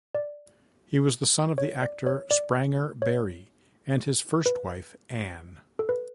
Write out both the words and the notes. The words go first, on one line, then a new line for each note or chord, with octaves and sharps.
He was the son of the actor Spranger Barry and his first wife Anne.
D5
C#5
D5
C#5
D5
C#5
B4
A4
B4